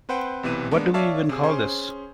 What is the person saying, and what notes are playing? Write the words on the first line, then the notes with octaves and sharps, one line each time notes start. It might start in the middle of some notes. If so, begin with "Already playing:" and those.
What do we even call this?
C4 B4 C5 F#5 G5
B1 C3 E3 B3 D#7
G#3 A#3 B3 D4
C#5 D5 E5 F5 A5
C3 G#4
C#4 G#4 C5